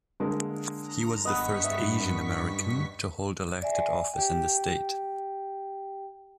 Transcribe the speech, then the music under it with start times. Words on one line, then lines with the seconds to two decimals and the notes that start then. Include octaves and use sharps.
He was the first Asian American to hold elected office in the state.
0.20 D3 G#3 A#3
0.82 A#5
1.25 G2 B3 D#5 C#6 B6
1.64 E5
2.00 F#2
3.62 D5 E5 G#5
4.14 G4 G5